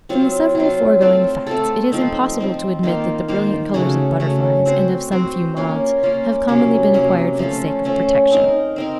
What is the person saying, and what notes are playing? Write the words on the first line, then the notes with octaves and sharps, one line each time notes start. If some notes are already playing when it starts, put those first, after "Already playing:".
From the several foregoing facts it is impossible to admit that the brilliant colours of butterflies, and of some few moths, have commonly been acquired for the sake of protection.
F#3 C4 F4
F#3 C4 F4
A3 C4 F4 A4
A3 C4 F4 A4
F3 C4 D#4
F3 C4 D#4
D#3 A#3 F4 C5
D#3 A#3 F4 C5
C#3 A3 C#4 F#4
C#3 A3 C#4 F#4
C4 F#4 C5
C4 F#4 C5
A#3 C#4 F4
A#3 C#4 F4
C3 F#3 A#3 C#4
C3 F#3 A#3 C#4
F3 A3 C#4
F3 A3 C#4
C4 D#4 A#4
C4 D#4 A#4